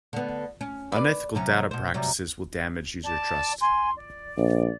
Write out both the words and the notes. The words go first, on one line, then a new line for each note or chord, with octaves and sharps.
Unethical data practices will damage user trust.
D3 B3
C#4
B4 D5
C3 F#3 C#4
B2 C5
C3 F#3 G3
D5 A5
G#5 C6
D5
A#1